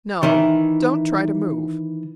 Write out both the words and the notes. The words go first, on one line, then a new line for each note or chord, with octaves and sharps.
No, don't try to move.
D#3 E3 E4